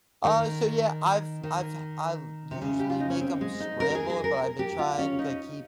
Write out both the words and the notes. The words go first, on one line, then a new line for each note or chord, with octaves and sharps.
Uh, so yeah, I've I've I've usually make them scrambled, but I've been trying to keep,
D#3
D#3
C3
C#3
G4
F4
D#4
C#4
C4
G#3
D#4
A#4
A#4
G#4
G#4
A#4
G4
F4
C#4
D#4